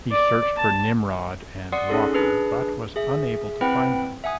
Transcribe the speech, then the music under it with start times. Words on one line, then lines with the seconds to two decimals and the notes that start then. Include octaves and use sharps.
He searched for "Nimrod" and "Walker", but was unable to find them.
0.11 D5
0.58 A5
1.72 D5 F#5 C6 D#6 C7 C#7
1.89 C#4 D#4 G#4 A4 C6
2.14 D4 G#4 B4 C7
2.96 G#4 E5
3.61 C4 E4 B4 F#5 G5 B5
4.24 E5 F#5 G#5 D#6